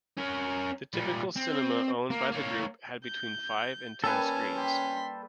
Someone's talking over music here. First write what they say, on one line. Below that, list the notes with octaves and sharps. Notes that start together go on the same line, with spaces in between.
The typical cinema owned by the group had between five and ten screens.
C#4 A#4
A#2 G3
C4
A#3
A#3 C#5
G6
G3 A#3 C#4 A4 B4 G#5 A5
G4 C6 B6